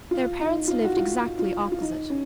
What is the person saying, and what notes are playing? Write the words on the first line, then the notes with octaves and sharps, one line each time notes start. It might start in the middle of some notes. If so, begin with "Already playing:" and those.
Their parents lived exactly opposite.
F4
D#4
F4
F#4
F4
F4
F4
D#4
C#4